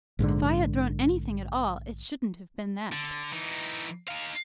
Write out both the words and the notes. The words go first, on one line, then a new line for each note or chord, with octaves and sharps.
"If I had thrown anything at all, it shouldn't have been THAT!"
A#1 G#2 B2 D3
D3
E3 D#4
D#4 F5